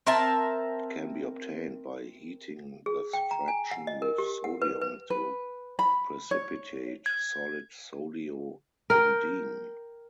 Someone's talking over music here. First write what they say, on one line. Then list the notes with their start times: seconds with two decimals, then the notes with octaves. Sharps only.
It can be obtained by heating this fraction with sodium to precipitate solid sodio-indene.
0.07 C4 A#4 E5 A5
2.86 G#4
3.13 G5
3.31 A#5
3.48 G#5
3.71 F#5
3.87 D#5
4.02 A#4
4.18 G4
4.44 F#5
4.62 B4
4.81 B4
5.10 B4
5.79 B5
6.31 C#5
7.06 G#6
8.90 A#4 G5